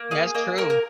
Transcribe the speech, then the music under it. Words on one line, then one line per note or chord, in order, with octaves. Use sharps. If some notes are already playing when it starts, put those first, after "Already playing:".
That's true.
Already playing: A#3
G#4 F5
A#3 D#5
A#3 A#4
A#4